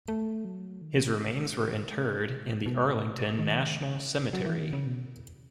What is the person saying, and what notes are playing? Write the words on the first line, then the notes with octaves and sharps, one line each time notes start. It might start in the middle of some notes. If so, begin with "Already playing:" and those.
His remains were interred in the Arlington National Cemetery.
A3
F#3
D#3
C#3
B2
C#3
A2
F#2
G#2
A2
B2
A2
B2
D#3
F#3
E3
D#3
C#3
B2